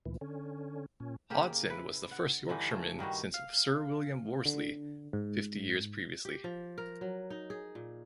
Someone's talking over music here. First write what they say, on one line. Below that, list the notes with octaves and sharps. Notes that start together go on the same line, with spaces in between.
Hodson was the first Yorkshireman since Sir William Worsley fifty years previously.
D2 A#2 E3
D3 C#4
A#2 C#4
C#3 A#3 G4
E4 B4
F#5
G2 D3 E3 D#4
C#3 A3
G2 D#3 G3 F#4
F5
D3
G#2
G4
F3
A#4
F#3
D#4
G#4
A#2